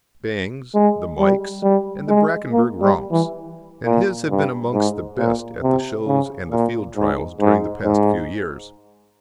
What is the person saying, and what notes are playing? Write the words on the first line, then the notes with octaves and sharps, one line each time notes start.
Bangs, the Mikes, and the Brackenburg Romps, and his have been amongst the best at the shows and the field trials during the past few years.
G#3
G3
G3
G#3
A#3
G3
E3
A#2
G2
G#2
A#2
C3
C#3
A#2
G#2
G#2
G#2